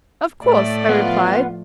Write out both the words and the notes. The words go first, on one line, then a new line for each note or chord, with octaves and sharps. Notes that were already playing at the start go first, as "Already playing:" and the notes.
'Of course,' I replied.
A2 A3 D5
F3 B3 F4